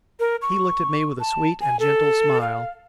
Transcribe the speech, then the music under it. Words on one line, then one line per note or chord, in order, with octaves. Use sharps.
He looked at me with a sweet and gentle smile.
A#4
C#6
A5
G#5
A4
F5